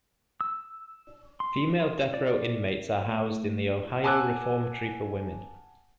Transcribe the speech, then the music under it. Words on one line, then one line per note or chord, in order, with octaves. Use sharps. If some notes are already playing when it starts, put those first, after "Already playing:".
Female death row inmates are housed in the Ohio Reformatory for Women.
E6
C6
D5
A3
F#5 G#5 A5 D6 E6 F#6